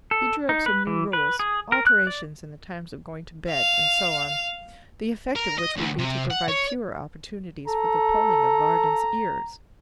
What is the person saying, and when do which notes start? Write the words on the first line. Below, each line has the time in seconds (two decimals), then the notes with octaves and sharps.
He drew up some new rules--alterations in the times of going to bed, and so on--the effect of which would be to provide fewer opportunities for the pulling of Varden's ears.
0.11 A4
0.49 D#4
0.66 B4
0.87 E3
1.13 B4
1.39 G#4
1.72 A#4
1.87 F#6
2.07 D5
3.49 F5
5.36 A#4
5.59 D#5
5.77 D2
5.99 C3
6.30 F#5
6.48 C#5
7.68 A4 A#5